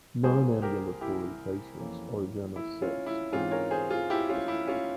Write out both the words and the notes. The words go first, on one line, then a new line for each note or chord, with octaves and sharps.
Non-ambulatory patients are then assessed.
C2 C3 G3 A#3 G#4 C5
G4 A#4
E4 G4
F2 E3 A#3 C#4
E4
C#4 F4
E4
G#2 E3 G#3 C4 C#4 F4
A#4 C#5
G#4 C5
F4 G#4
E4 G4
C#4 F4
E4
C#4 F4